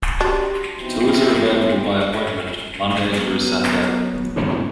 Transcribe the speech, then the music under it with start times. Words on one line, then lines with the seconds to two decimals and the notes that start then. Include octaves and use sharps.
Tours are available by appointment, Monday through Saturday.
0.21 D4 F#4 G4 C6
0.80 E3 B3 C4 D#4
3.01 F#3 B3